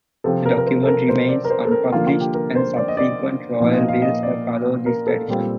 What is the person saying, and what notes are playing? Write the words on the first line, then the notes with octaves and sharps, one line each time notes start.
The document remains unpublished, and subsequent royal wills have followed this tradition.
C3 F3 C4 F4 A4
A#4
A#4
C5
A4
A#4
C5
D5
A#4
C5
A4
A#4
D3 F3 A#3 F4
F4
G4
A#4
C5
D5
D#5
D5
A#2 F3 A#3 D#4
D#5
F5
D#5
D5
A#4
A4
A#2 G3 C4 F4